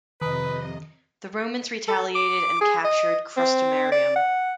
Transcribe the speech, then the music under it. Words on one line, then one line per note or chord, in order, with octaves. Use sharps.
The Romans retaliated and captured Crustumerium.
F2 C3 D#3 B4 D#5
A4
D6
G#4
D#5
C4
D5
F#5